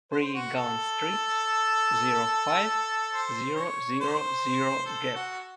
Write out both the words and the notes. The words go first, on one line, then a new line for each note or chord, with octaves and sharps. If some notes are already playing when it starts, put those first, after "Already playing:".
Pré Galland Street, zero five, zero zero zero Gap.
C5
F#4
A4
C5
C#5
C5
A4
F#4